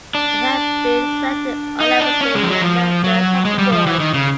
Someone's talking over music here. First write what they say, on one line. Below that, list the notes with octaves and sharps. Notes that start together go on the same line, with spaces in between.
He had been selected unanimously by the members of the board.
D4
D#4
D4
C#4
G#3
F3
F#3
F3
F#3
G#3
G3
F3
E3
D#3
C#3